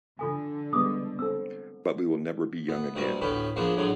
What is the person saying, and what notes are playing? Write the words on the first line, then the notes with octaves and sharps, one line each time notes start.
But we will never be young again.
D3 F4 A4 G#5
G3 G#3 B3 D6 D#6
C4 A4 E6
B3
G2 C3 G3 F#4 D#6
D2 A2 B3 C#4 G4 B5
F3 A#3 B3 D4 G#4 C5
A2 D3 F#3 G#4